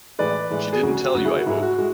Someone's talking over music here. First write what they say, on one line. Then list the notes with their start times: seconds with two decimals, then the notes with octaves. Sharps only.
She didn't tell you, I hope?
0.19 A2 E3 G#3 B4 D5
0.50 A2 E3 G#3
0.73 G#4
0.82 D2 C#3 F#3 F#4
1.14 D2 C#3 F#3 F#4
1.25 E4 G#4
1.35 F#4
1.46 G#2 G#3 E4
1.63 F#4
1.78 G#3 F#4